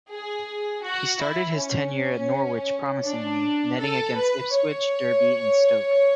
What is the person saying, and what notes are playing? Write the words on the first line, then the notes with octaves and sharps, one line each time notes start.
He started his tenure at Norwich promisingly, netting against Ipswich, Derby and Stoke.
G#4
F#4
E4
C#4
D4
A4
B4
C#5